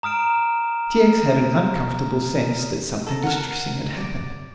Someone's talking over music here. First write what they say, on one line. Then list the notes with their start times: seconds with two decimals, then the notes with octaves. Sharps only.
T. X. had an uncomfortable sense that something distressing had happened.
0.03 A#5 D#6 F6 D7 E7
3.06 A4 A#5
3.23 A#4 F#5
3.97 D5